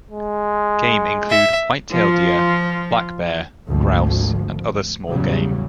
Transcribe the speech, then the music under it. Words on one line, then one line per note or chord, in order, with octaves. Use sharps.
Game include white-tail deer, black bear, grouse, and other small game.
G#3
E5
F3 F4
G#1 D2 F3
E2 A2 C#3 F#3 G3